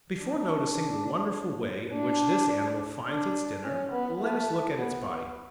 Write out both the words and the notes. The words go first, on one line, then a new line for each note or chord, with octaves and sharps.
Before noticing the wonderful way in which this animal finds its dinner, let us look at its body.
D4
D4
D4
C#4
B3
A3
B3